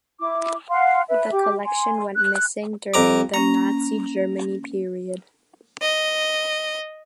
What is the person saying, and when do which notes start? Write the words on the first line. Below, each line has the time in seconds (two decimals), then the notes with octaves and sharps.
The collection went missing during the Nazi Germany period.
0.20 E4 D6
0.70 F5 F#5 C6
1.09 B4 E5
1.32 G4 D6
1.66 G#5 C6
2.17 F#6
2.94 F2 A#5 D6
3.34 A#3 C#4 A#5
5.82 D#5